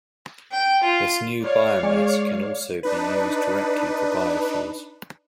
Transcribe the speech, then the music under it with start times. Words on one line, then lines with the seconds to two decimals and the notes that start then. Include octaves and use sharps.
This new biomass can also be used directly for biofuels.
0.51 G5
0.83 F4
1.44 C#5 D5 F5
1.83 G#3
2.83 D4 D#4 B4